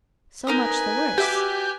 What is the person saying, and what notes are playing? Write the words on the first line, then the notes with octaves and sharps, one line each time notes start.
So much the worse!
D#4 A#4 B4 G#5 D#6
F#4 G4 E5 D6